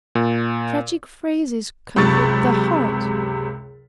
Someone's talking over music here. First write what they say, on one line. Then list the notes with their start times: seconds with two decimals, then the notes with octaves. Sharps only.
Tragic phrases comfort the heart....
0.15 A#2
1.96 C#2 F#2 C3 C#6 A6